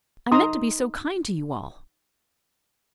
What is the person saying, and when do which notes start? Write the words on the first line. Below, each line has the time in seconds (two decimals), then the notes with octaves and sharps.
"I meant to be so kind to you all."
0.32 D#4 A#5 C6 D#6